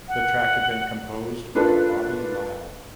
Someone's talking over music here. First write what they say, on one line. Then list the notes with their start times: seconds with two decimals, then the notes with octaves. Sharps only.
The track had been composed by Bobby Lile.
0.08 F#5
1.55 A#3 D4 F4 A4 B4